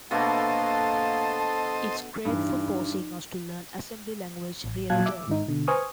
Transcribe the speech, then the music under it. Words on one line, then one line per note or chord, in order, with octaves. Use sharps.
It's great for forcing us to learn assembly language really well.
B2 A3 A#3 D4 A4 C5 D#5 A5
G2 E3 D#4
A1
A#2 F#3 F5 A5 F#6 G#6
E5 D6 E6
G#2 D#3 D#4
B2 D3
B4 C5 G#5 C#6 D#6 F6